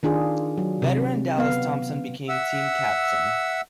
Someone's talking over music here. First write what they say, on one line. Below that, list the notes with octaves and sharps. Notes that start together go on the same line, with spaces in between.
Veteran Dallas Thompson became team Captain.
D#3 D4 F4 G#4
F#3
C3
B3 F5
E5 F#5 E6